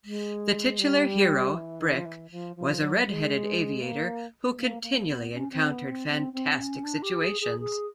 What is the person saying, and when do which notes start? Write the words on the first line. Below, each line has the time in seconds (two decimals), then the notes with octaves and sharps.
The titular hero, Brick, was a redheaded aviator who continually encountered fantastic situations.
0.04 G#3
0.79 G3
1.55 E3
1.80 D#3
1.95 F3
2.05 E3
2.31 F3
2.56 F3
2.81 F#3
3.05 G#3
3.82 A#3
4.57 A#3
4.82 A#3
5.07 B3
5.32 C#4
5.51 C4
5.70 B3
5.89 C4
6.08 C4
6.33 C4
6.59 C#4
6.83 D4
7.02 G4
7.21 G#4
7.40 G#4
7.59 G#4